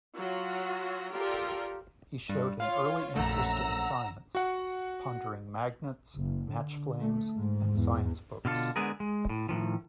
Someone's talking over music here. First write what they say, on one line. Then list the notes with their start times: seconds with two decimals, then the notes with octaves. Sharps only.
He showed an early interest in science, pondering magnets, match flames, and science books.
0.17 F#3 F4 F#4
1.13 F4 G4 A4 A#4 D5
2.29 G2
2.60 F4 C#5 F5
3.16 A#1 F#2 A3 F#5 A#5 E6
4.35 F#4 F#5
6.16 F#1
6.50 D3
7.01 A3
7.34 G#2
7.74 E2
8.45 B2 D3 F4 A4
8.76 D3 G#3 B3 G#4 A#4
9.00 G#3
9.29 A2
9.49 A2 D#3 F3